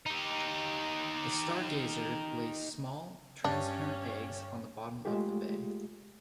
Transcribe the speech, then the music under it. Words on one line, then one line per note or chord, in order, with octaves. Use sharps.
The stargazer lays small, transparent eggs on the bottom of the bay.
D#4 G4
G2 C#4 D4
G#3 A3 F4 G4 G#4